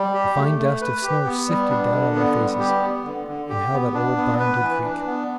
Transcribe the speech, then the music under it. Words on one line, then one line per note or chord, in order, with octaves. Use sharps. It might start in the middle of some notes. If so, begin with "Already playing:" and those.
A fine dust of snow sifted down on our faces; and how that old barn did creak!
Already playing: G3
G4
A3
A3
B4
G4
B3
G3
D4
D3
B3
G3
G4
B3
D3
D3
G4
B3
D4
B3
B4
E3
D4
B3